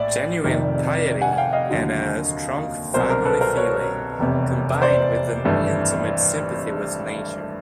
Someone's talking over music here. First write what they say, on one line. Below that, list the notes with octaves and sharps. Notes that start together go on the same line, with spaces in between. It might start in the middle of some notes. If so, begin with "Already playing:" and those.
Genuine piety and a strong family feeling combine with an intimate sympathy with nature.
Already playing: A#1 A2 D5 E5
F1 F2 C3 D#3
F#5 G#5
G#5
F5 G5
D#5 F5
D#2 D3 F#3
C2 B2 F#3 A#4 C5
A#4
A4 B4
A#4 C5
B4 C#5
F1 E2 C3
C5 D5
G#1 G2 E3 A3